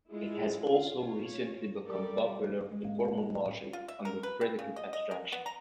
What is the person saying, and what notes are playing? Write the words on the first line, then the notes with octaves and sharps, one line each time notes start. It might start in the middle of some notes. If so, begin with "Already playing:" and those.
It has also recently become popular in formal logic under predicate abstraction.
G#3 E4 F4 G#4
F4
F4 C#5
G3 G4 A4 A#4 D5
G#3
A2 A#3
F4
E5
A#4
B4
C4
C#3
D#5
D#5
A#4
B3
A#5